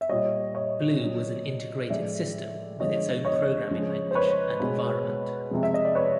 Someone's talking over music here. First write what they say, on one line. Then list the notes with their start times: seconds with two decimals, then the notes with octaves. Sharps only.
Blue was an integrated system with its own programming language and environment.
0.01 E5
0.09 A#2 G3 C#5 D#5
0.55 C#5 D#5
1.00 A#2 F#3
1.90 A2 F3 G#3 D5 E5
2.80 D3 F3 G#3 C#5 D#5
3.25 C#5 D#5
3.70 C#3 F3 G#3
4.11 C5
4.15 B4 C#5
4.60 B2 G#3
5.51 C3 F3 G#3
5.63 E5
5.74 D#5
5.85 D5
5.95 B4 C#5